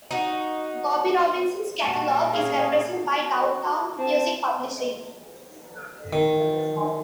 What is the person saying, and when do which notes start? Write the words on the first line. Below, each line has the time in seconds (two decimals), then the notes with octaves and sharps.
Bobby Robinson's catalog is represented by Downtown Music Publishing.
0.11 D#4 F#4
1.81 A#2 G3 F#4 A5
2.33 C#4 G#4 F5
3.08 F#4
3.98 C4 A5
6.13 D#3